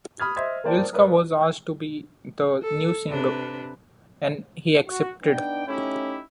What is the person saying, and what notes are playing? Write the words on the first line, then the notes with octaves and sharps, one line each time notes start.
Wilska was asked to be the new singer, and he accepted.
B5 D#6 F6 G#6
C5 D#5 E5 C6 G#6
A#3 A#4 C5 D5 G5 A5
A#4 B4 C#5 D5
A4
C3 D4 B4
F#4
B3 D4 D#4 G5
A3 C#4 D#4 E4 G4